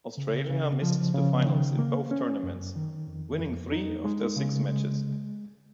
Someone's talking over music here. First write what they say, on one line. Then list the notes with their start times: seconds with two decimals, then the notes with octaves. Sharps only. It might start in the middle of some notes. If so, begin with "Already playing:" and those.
Australia missed the finals in both tournaments, winning three of their six matches.
0.17 C#3
0.50 C#3
0.82 F3
1.14 C#3
1.46 D#3
1.79 A#3
2.11 C#4
2.43 F#2
2.75 D#3
3.07 F2
3.39 F2
3.72 D#4
4.04 G#3
4.36 C#3
4.69 G#3